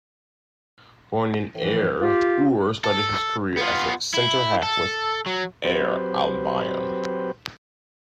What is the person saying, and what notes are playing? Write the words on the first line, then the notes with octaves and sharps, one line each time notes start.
Born in Ayr, Ure started his career as a centre half with Ayr Albion.
A2 E3 F3
F4 G4
A4
B3 F4
E4
A4
F#3
F#3 C4 G4 B4 C5